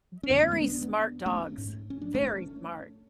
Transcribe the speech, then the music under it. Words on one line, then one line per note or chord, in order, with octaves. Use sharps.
Very smart dogs. Very smart.
C#4
F2 D3 B3 D4
A3 C#4
G#3 B3
B3 D4
A3 C#4
G#2
C#4
D4
A3 C#4